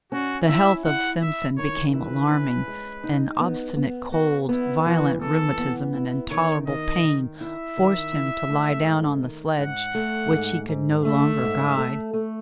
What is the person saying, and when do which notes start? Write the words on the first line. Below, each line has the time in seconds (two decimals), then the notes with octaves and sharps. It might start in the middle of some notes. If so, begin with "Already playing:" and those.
The health of Simpson became alarming; an obstinate cold, violent rheumatism, and intolerable pain forced him to lie down on the sledge, which he could no longer guide.
0.12 C#4 F#4
0.49 E4 E5
0.86 E4 F#5
1.22 E4 E5
1.58 D#3 C#5
1.94 E4 B4
2.31 C#4
2.68 G#3
3.04 D#4
3.40 B3
3.77 B3
4.12 B3 F#4
4.49 B3 E4
4.86 E3 F#4
5.22 E3 A4
5.59 B3
5.94 E4
6.31 D#3 C#5
6.68 D#3 D#5
7.04 D#3
7.40 E4 E5
7.77 D#3
8.13 E4
8.49 A3
8.86 G#2
9.23 D#3
9.58 G#2 F#5
9.95 A3
10.31 G#2
10.68 G#2
11.04 A3 E5
11.41 G#2
11.78 A3
12.14 A3